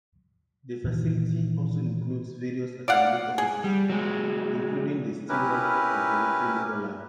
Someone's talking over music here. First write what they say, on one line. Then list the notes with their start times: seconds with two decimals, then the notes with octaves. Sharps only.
The facility also includes various academic offices, including the Steward Observatory Mirror Lab.
0.84 A#2 D#3 E3
2.88 D5 F5 F#5
3.38 G#4
3.64 G3
3.89 F#3 G#3
5.29 C#4 E4 G4 A#4 B4